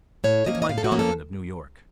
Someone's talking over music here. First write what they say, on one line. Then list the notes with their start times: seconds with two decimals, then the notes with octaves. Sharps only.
Take Mike Donovan, of New York.
0.24 A2 C#5
0.46 F3 A#3 C#4 D#5
0.55 C#5
0.62 D#5
0.69 A2 F5
0.78 A4
0.84 F#4
0.91 F3 A#3 C#4
0.99 A4